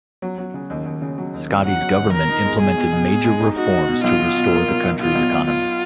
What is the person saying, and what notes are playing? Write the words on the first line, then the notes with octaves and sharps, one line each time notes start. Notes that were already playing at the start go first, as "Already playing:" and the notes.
Scotty's government implemented major reforms to restore the country's economy.
F#3
F#3
C#3
D#2
D#2
C#3
F#3
D#2
C#3
F#3 F#5
F#3
D#2
B2 A#4
D#4
G#3
B2 G#4
B2
B2
B2
G#3
D#4
D#4 F#4
D#4
B2
B1 F4
B2
B2
A#3
B1
B1
B2 F4
B1
B1
B1 F4